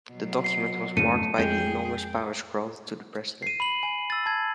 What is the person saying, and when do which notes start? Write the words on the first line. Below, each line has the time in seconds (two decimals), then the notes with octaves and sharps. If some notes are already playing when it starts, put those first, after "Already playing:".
The document was marked by the enormous powers granted to the president.
0.11 B2 F#3
0.44 C7
0.97 F2 G#2 C#3 A3 C#7 D#7
1.38 F2 G#3 G#4 G5
3.43 C7 D#7
3.60 B5 F#7
3.83 G#5
4.10 E6 A6
4.26 A5 G#6